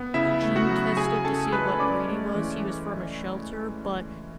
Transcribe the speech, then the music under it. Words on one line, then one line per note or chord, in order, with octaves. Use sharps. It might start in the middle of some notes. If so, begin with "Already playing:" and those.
gene tested to see what breed he was, he was from a shelter, but
Already playing: B3
C#3 E4 E5
A3
F#4 F#5
F#3
C#3 G#4 G#5
C#4 A4 A5
G#3 B4 B5
C#4 D5 D6
A3
E3